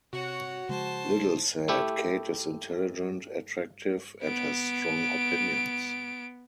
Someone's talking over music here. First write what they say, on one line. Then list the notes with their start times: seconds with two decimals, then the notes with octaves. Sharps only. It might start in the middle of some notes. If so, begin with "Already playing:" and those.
Liddle said: Kate is intelligent, attractive and has strong opinions.
0.13 C3 F#4 C#5 F#5
0.69 C#3 F3 G#3 C5 A5
1.68 A3 E4 G4
4.24 B3 D7